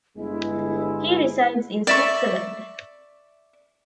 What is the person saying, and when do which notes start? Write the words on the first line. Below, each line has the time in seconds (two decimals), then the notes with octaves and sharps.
He resides in Switzerland.
0.16 G1 G#3 E4
1.87 D5 E5 C#6